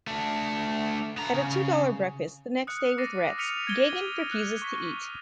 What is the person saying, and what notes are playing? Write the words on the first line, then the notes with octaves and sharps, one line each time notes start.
At a two dollar breakfast the next day with Retz, Gagin refuses to eat.
A3 D4
B3 A#5
C#3
D#6 F6 F#6 C#7
D6 F#6 A6 A#6 C7 D#7
D#6 F6 B6 C#7 D#7 F7
G#6 A6 D7 D#7 G7
F#6 D#7
C#6 B6